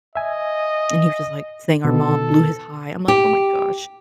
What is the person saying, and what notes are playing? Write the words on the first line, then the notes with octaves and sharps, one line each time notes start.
and he was just, like, saying our mom blew his high. I'm like, "Oh my gosh."
D#5 E5 G#5
B2 D#3 B3 A4
G4